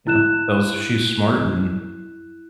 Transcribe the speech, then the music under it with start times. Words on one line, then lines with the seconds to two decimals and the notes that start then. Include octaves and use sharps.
Yeah, that was she's smart and
0.07 E4 F#6 E7